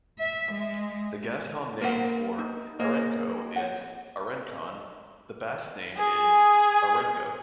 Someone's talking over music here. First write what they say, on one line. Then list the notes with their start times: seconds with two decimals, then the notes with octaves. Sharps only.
The Gascon name for "Arancou" is "Arancon"; the Basque name is "Erango".
0.19 E5
0.51 G#3
1.81 A#3 A#4 C5 F#5
2.39 D#4
2.80 A#3 G#4 C#5 D#5
3.56 C5 C#5 F#5
5.96 G#4 G#5